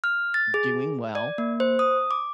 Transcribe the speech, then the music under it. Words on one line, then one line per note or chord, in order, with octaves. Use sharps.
doing well,
F6
A6
G#4
D5
A#3
C5
D#6
D6